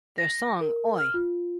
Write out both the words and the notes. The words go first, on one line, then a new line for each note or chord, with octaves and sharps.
Their song Oi!
A#6
A#4
F6
F4